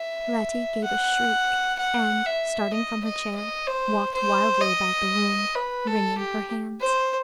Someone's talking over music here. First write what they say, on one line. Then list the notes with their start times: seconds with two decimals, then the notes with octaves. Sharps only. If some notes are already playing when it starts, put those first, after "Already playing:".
Letty gave a shriek, and, starting from her chair, walked wildly about the room, wringing her hands.
Already playing: E5
0.84 F#5
1.79 F#5
2.26 E5
2.73 D#5
3.04 D#5
3.36 D#5
3.67 C5
4.14 C5
4.61 D#5
5.55 B4
5.87 A4
6.18 G4
6.81 C5